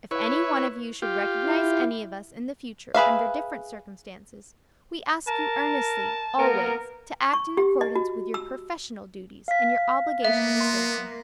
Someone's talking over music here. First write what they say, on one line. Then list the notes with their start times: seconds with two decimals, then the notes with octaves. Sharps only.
If any one of you should recognise any of us in the future under different circumstances, we ask you earnestly always to act in accordance with your professional duties and your obligations as citizens.
0.11 E4 B4 C#5
1.02 F4 G4
1.45 E4
2.94 G#4 B4 E5 F5
5.27 A#4 A5
6.38 A#3 B3 A#4
7.34 C#6
7.57 G4
7.81 D#5
7.96 F#4
8.34 E6
9.48 F5 B6
10.25 A#3 B3 E5
10.61 C6